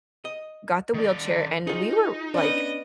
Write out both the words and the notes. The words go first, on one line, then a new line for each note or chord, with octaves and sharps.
got the wheelchair, and we were, like
D#5
D#3 D5
D#4 F4 G#4
B3 C#4 D4 D#5